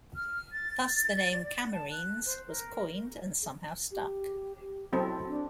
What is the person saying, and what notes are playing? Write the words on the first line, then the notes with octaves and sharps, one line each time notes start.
Thus, the name "Camarines" was coined and somehow stuck.
F6
A6
D5
F#5
A5
F#6
C5
A#4
G4
G4
F#3 C4 E4 A4
D4